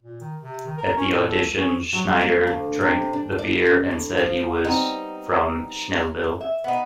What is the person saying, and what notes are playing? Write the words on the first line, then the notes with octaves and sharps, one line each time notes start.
At the audition, Schneider drank the beer and said he was from Snellville.
A#2
D#3
C3
D#3
A#4
C#4
A2
A4
C#2
C#4
F#3
A#3
D2
C3
D4
D5
C#4
D2
F3
G3 B3 C4 D#4
E5
B3 D#4